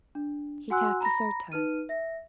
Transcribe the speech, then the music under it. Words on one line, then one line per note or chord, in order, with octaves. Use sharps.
He tapped a third time.
D4
F#4 F#5 G#5 C6 E6 F#6
A#5 B5 A#6
D#4 B4 F6 D#7
E5 A#6